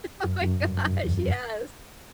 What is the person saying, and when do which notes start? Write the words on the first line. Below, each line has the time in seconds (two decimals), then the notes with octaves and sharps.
Oh my gosh, yes.
0.24 F#2
0.42 F#2
0.60 G2
0.78 F#2
1.04 E2
1.17 F#2